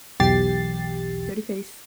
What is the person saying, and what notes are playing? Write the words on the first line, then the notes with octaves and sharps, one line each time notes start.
Dirty Face!
B1 E2 G4 A6 C7